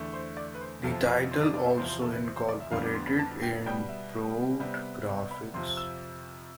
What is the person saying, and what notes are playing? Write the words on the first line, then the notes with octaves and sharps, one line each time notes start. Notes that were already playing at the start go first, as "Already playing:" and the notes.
The title also incorporated improved graphics.
Already playing: E2 D3 A3
C5
D5
B4
C5
F2 C3 F3 A4
B4
C5
D5
D5
E5
E2 C3 F3 C5
C5
A4
B4
C5
C5
D5
E5
F2 D3 G3 B3 F5
D6
C6
B5
A5
G5
B2 G3 B3 G5
E5
C3 G3 B3
B5
F2 C3 F3 C6
E6